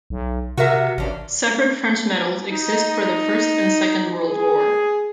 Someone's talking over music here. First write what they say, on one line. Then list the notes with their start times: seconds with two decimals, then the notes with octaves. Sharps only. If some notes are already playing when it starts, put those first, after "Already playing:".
Separate French medals exist for the First and Second World War.
0.10 B1
0.57 C3 F#4 A#4 E5
0.98 A1 C#4 D4
2.50 D#4
4.24 G#4